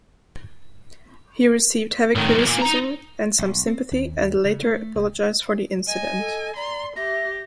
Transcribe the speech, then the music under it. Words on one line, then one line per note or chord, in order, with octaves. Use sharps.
He received heavy criticism, and some sympathy, and later apologised for the incident.
A2 D#3
B1 G#2
A#2
D#4 A#5
B1
C4
D#2
C#3
A3
C2
D#5 G#5
A4
D5 A#5 C6
G4 E5 A#6